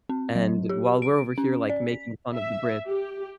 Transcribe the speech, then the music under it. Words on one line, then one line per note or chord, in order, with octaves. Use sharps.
and while we're over here like making fun of the Brits
C4
F#3
G4
D7
C#4
D5
B6
E5
G4